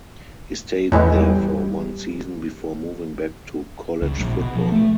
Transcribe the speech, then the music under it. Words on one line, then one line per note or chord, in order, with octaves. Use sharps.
He stayed there for one season before moving back to college football.
E2 A2 E3 G#3
G3
C#2
A#1
B2
F3
A3